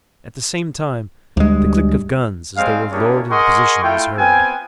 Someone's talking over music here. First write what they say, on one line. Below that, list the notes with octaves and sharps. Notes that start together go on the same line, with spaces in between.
At the same time, the click of guns, as they were lowered into position, was heard.
D2 G3 G#3
G3 G#3 C4 C5 F5
A#3 C#4 D4 E4 G4 G#4
G#4 A#4 D#5 F#5 C6 C#6
A3 E4 F4 G5
B3 C4 F4 G5 G#5